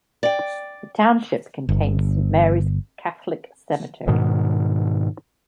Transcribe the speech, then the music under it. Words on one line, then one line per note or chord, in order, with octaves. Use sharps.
The township contains Saint Mary's Catholic Cemetery.
D5 G5
G1
G#2 B2 D#3